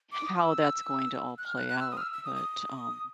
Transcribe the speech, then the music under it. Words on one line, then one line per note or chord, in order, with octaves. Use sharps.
h how that's going to all play out, but, um
D6
D#6
E6
F#6
F6
F#6
F#6
E6
D#6
F6
E6
E6
D#6
D#6